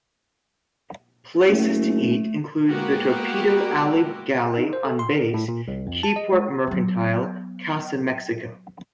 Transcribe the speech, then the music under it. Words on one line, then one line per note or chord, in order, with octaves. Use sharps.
Places to eat include the Torpedo Alley Galley on base, Keyport Mercantile, Casa Mexico.
F#1 A3
G#3 A#3 B3 F#4 G4 A#4
D#4
C5
A4
C6
A#4
A2
A#2
C2
F2
A5
D#5
G#3
F#3 B3